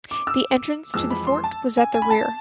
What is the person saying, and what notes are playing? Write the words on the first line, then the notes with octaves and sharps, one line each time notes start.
The entrance to the fort was at the rear.
D6
E6
F2 E3 G#3 E6
B5
C6
A5
G#5
G#5
B5
A5